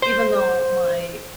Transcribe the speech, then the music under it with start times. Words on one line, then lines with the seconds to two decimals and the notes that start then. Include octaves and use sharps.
Even though my
0.02 C5